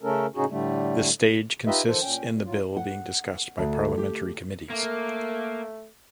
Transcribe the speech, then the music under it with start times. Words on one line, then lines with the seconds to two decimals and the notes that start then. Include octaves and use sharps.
This stage consists in the bill being discussed by parliamentary committees.
0.01 C#3 A3 C#4 A4 A#4
0.35 A2 C#3 C#4 D#4 F#4 G#4
0.49 A2 D3 G3 A3
1.67 D#4 F4 G4 B4 D#5 E5
1.87 D#3 F3 A4 C5
2.01 A#2 C#4 G5
2.28 A#2
2.45 A2 F#3 F4
2.77 F#5
3.58 D2
3.98 G4
4.71 A3 A#3